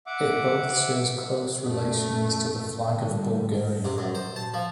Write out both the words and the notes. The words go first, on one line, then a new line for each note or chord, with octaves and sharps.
It both shares close relations to the flag of Bulgaria.
E5 F#5 D6
F#2 A3
D3 G3
C3
F#2
C5
A5
F3